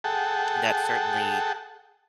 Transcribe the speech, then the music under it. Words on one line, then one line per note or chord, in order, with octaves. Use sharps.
that certainly,
G#4 A4 F#5 G5 A5